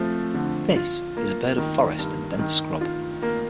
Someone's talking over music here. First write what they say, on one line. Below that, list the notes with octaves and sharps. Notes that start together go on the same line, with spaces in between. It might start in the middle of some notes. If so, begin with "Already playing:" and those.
This is a bird of forest and dense scrub.
Already playing: F3 A3 C4
D3
F4
A#3
D#3
G2
D#3
F4
A#3